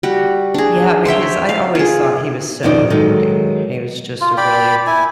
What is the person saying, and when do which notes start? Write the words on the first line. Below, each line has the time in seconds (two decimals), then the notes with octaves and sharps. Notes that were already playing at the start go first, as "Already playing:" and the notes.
Yeah, because I always thought he was so good-looking. He was just a really,
0.03 G3 F#4
0.54 D4 G#4
1.05 C5 C#5 E5 G5
1.49 F5
1.75 F4 G#4
2.63 F2 B2 D#3 C4 D#4 D5
2.90 D#3 F#3 G#3 A4 D#5
4.21 F4
4.37 D5 G5 B5
4.87 E4 G#5